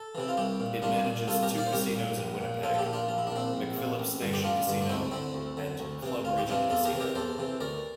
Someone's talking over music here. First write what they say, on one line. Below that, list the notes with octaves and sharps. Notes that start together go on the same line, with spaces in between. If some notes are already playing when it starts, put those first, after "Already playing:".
It manages two casinos in Winnipeg: McPhillips Station Casino and Club Regent Casino.
Already playing: A4
C3 E3 E4
F4
C2 E4 G4
A#2
C2 D4 F4
A#2
C2 F4 A4
G4 A#4
A#2
D5 F5
C5
C2 G4 A#4
A#2
A#1
A#2
A#1 F4 A4
A4
E4 G4
A#2
D4 F4
A#1 F4
E4
D4
A#2 C4 E4
A#1
A#2
A1
G2 D3
G4
A1 D4 F4
G2 D3
D4
D2 C4 E4
D3 C4 E4
D2
D3
D2
C3 E3
D2 F4
G4
C3 E3 D4 F4
E2 F4 A4
G4 A#4
C3 E3
G4 A#4
E2 A4 C5
C3 E3
D2 A#4 D5